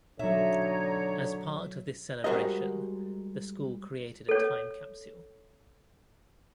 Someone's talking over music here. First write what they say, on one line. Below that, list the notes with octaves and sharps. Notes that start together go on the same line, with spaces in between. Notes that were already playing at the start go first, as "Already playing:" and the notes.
As part of this celebration, the school created a time capsule.
B2 D3 F#3 D#4 C#5 E5 A#5
G3 G#3 F#4 A#4 C5 D#5
A4 C#5